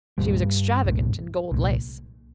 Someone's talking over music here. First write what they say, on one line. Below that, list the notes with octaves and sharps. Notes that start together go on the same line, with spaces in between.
She was extravagant in gold lace.
C2 G2 A#2 G3
C2 A#2
C2 A#2